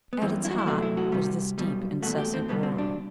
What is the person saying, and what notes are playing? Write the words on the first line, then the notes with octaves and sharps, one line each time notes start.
At its heart was this deep, incessant roaring.
B3
F#2 E3 G3 C4
E4
F#4
E4
E2 C3 F#3 A3 F#4
E4
F#4
C2 C3 G3
B1 B2 G3
E2 B2 A3 F#4
G4
C4
C2 B2 G3 B3
C4
D4